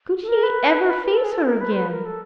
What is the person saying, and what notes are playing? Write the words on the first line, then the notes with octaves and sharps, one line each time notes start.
Could he ever face her again?
A4
A#4
B4
B4
A#4
A4
G#4
A4
A#4
B4
C5
B4
A#4
A4